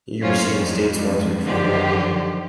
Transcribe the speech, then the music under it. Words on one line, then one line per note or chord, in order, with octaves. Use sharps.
He received a state sponsored funeral.
F#2 A#3 C#4 F4 C5 C#5
F2 G3 G#3
F#2 D3 D#3 F3 G4 C5